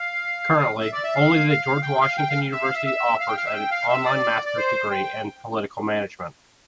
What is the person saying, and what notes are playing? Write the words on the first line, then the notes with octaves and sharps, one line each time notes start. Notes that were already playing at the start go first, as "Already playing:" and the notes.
Currently, only The George Washington University offers an online Master's degree in Political Management.
Already playing: F5
E5
D5
E5
F5
F5
G5
F5
G5
F5
E5
F5
E5
E5
F5
G5
F5
E5
G5
F5
E5
D5
D5
C5
G5